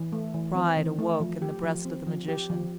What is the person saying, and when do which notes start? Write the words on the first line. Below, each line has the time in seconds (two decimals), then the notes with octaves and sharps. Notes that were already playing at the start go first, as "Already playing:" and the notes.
Pride awoke in the breast of the magician.
Already playing: E3
0.12 A3
0.34 E3
0.55 C4
0.77 E3
0.99 A3
1.20 F3
1.42 G4
1.63 F3
1.85 C4
2.07 F3
2.28 G4
2.50 F3